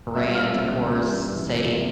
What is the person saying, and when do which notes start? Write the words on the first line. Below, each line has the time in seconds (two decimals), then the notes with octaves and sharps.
brands, of course, say,
0.14 A#2 G3 C4 E5 E6
0.34 F5 F6
0.54 C2 B2 G#3 C#4 E5 E6
0.94 G2 E3 G3
1.34 E2 C3 E3 G#3
1.74 C3 F3